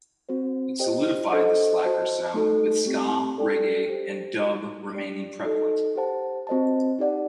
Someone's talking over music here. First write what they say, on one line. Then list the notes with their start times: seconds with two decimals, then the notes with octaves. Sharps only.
It solidified the Slackers' sound, with ska, reggae, and dub remaining prevalent.
0.29 C4 F#4 C5
0.79 G4 C5 D#5 G5
1.31 D4 A4 C5 D#5
1.83 F#4 C5 D#5 A5
2.34 A3 D#4 F#4 A4
2.86 A3 C4 G4
3.38 D4 A4 D5 G5
3.89 G4 C5 G5
4.41 D#4 F#4 A#4
4.93 G4 D5 G5
5.44 D#4 F#4 A4 D#5
5.95 G4 C5 F#5 A5
6.47 C4 F#4 C5 D#5 A5
6.99 D#4 G4 D5 F#5